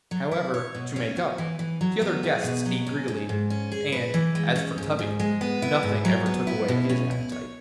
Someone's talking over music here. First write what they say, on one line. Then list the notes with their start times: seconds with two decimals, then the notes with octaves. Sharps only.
However, to make up, the other guests ate greedily, and, as for Tubby, nothing ever took away his appetite.
0.11 F#3
0.31 E4
0.54 C#5
0.75 B2
0.96 C#4
1.17 F#4
1.38 E3
1.59 E3
1.81 F#3
2.02 B3
2.23 G#4
2.43 B2
2.66 F#3
2.87 C#4
3.08 G#2
3.29 G#2
3.50 C#4
3.72 G#4
3.92 B4
4.14 E3
4.35 G#3
4.56 C#4
4.78 G#2
4.99 G#2
5.20 G#3
5.41 B3
5.62 E4
5.83 G#2
6.05 F#3
6.26 B3
6.47 E4
6.68 B2
6.89 C#4
7.11 E4
7.32 C#5